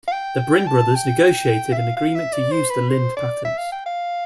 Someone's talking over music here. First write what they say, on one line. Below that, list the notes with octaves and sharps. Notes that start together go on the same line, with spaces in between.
The Brin brothers negotiated an agreement to use the Linde patents.
F5
G5
A5
G5
E5
F5
F5
E5
D5
C5
B4
C5
D5
E5
F5
G5
F5